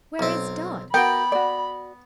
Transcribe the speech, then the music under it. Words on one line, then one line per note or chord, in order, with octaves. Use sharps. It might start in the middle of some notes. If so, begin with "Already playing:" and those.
"Where is Dot?"
B1 C4
B3 F#4 A#4 G5 B5
F#4 D5